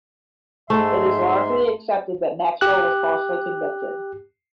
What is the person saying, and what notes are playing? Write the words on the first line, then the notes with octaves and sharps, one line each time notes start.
It is largely accepted that Maxwell was falsely convicted.
G#2 A3 E5 C6
G4 F#6